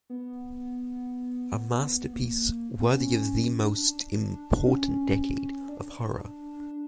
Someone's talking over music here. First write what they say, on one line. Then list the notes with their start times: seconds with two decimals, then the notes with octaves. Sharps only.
A masterpiece worthy of the most important decade of horror.
0.10 B3
2.13 A#3
2.80 B3
2.97 C#4
3.65 D4
4.67 C#4
5.69 D4